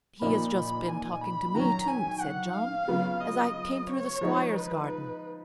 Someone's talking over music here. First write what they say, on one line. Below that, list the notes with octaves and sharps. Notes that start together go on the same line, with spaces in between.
"He has just been talking to me, too," said John, "as I came through the squire's garden."
A#2 F3 A#3 D#4 B5
B5
G#5
B5
D#3 F#3 C#4 A#5
G#5
F#5
F5
C#3 F#3 B3 F4
D#5
C#5
F3 G#3 D#4
B4